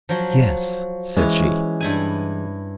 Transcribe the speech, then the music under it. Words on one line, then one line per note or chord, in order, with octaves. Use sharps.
"Yes," said she.
F3 F#3
E3 G#3 C#4
G2 E4 G#5